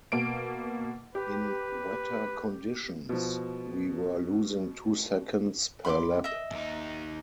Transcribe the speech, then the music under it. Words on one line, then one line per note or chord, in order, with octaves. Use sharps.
In wetter conditions, we were losing two seconds per lap.
B2 A#3 D7
G4 B4
B2 F3
B5 C6 D6
D#5 E5
D#2 D#4